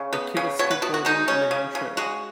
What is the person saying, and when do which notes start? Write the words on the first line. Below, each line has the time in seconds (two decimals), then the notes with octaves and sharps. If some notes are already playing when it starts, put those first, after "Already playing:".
A kid is skateboarding on a handrail.
Already playing: C#3
0.13 B3
0.37 C#3
0.59 B2 C#5
0.71 B4
0.82 B2 F#4
0.94 F#4
1.05 G#3 D#4
1.28 C#4
1.51 C#3
1.75 C#3
1.97 G#3 F#4